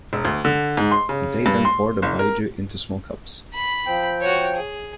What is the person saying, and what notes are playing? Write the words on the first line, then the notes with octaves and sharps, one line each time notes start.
They then pour the "baijiu" into small cups.
E1
D2
D3
G#2
C6
C#3
G2
C6
F#1
A#4
B5
F3 C4 G5
F#4 C#5
G#4